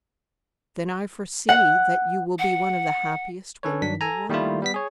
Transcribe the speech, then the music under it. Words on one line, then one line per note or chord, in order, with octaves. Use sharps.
"Then I foresee that you will be one of the happiest women in the world."
F#5
F#5
C#4 A4 B4 C#5
G2 F#3 D4 B6
A4 G#5 A#5
D#3 G3 A3 A#3 E4 F4
G3 B3 B6
G#4 C#5